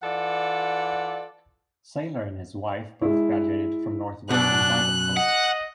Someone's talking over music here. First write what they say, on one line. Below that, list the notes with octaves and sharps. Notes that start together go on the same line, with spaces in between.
Sailer and his wife both graduated from Northwestern Bible College.
E3 F4 A4 D5 F#5
G#3 E4
F#2 B2 D4 F#6
D#5 F#5